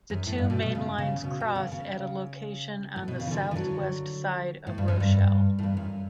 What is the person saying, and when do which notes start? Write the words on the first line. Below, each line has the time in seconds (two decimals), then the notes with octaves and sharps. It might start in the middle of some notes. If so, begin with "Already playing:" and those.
The two mainlines cross at a location on the southwest side of Rochelle.
0.10 F#2
0.27 A2
0.38 G2
0.50 B2
0.62 B2
0.75 C#3
0.98 C#3
1.23 B2
1.40 B2
1.55 C#3
1.72 C#3
2.96 A2
3.08 B2
3.20 C#3
3.27 E3
3.31 B2 D3
3.51 E3
3.55 D3 F#3
4.67 A2
4.78 G2
4.88 F#2
5.00 G2
5.59 A2
5.63 G2
5.77 F#2